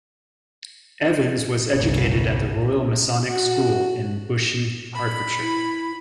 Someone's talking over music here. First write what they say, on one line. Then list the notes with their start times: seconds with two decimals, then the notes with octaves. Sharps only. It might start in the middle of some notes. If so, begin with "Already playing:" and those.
Evans was educated at the Royal Masonic School in Bushey, Hertfordshire.
1.73 G1 C2
3.27 F#4
4.95 B5
5.41 E4